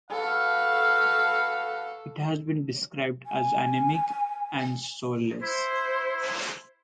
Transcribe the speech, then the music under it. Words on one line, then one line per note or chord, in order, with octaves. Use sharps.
It has been described as "anaemic" and "soulless".
F#4 A4 B4 F5
G#5
E4 C5